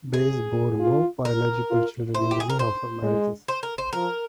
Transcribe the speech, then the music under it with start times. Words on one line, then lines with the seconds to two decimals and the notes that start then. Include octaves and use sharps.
Bayes bore no biological children in any of her marriages.
0.14 G#4
0.80 F4
1.25 A#4
1.70 F4
2.15 E4 C5
2.31 G4
2.40 G#4
2.50 A#4
2.59 C5
3.03 G#3
3.48 C5
3.63 A#4
3.78 C5
3.93 F3 A#4